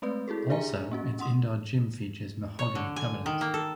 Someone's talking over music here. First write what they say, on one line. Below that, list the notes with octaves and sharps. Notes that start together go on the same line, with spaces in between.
Also its indoor gym features mahogany cabinets.
G#3 A3 C4 B4 D5
E4 F#4 G#4 A4
D4 G4 G#4 E5 G#5 A#5
A#3 C#4 F#4
C#4 F#5 C6 D#6
C#5
D3
G#5
D#3
A#3
A4